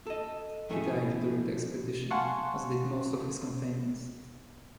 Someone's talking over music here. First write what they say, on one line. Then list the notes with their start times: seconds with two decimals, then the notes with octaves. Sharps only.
He died during the expedition, as did most of his companions.
0.06 A4 D#5
0.69 F2 A2 A3 C#4 F#4 G#4
2.11 F5 F#5 G#5 A5 C6 C#6